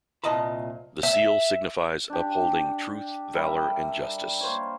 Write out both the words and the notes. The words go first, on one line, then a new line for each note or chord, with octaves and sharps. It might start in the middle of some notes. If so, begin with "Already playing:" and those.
The seal signifies upholding Truth, Valour and Justice.
C2 A#2 D#5 A5 B5
E5
D4 G4
G3 A#4 E5
A#3 C5 C#5